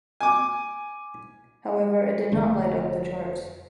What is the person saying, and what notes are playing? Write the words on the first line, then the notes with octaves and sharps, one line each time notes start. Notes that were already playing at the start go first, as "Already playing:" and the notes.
However, it did not light up the charts.
G#5 D6
F1 D3 A3